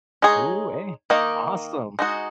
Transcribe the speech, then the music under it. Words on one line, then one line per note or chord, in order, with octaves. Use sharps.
Ooh, hey. Awesome.
G#3 D#4 G#4 C#5
D#3 A#3 D#4
G#3 D#4 F#4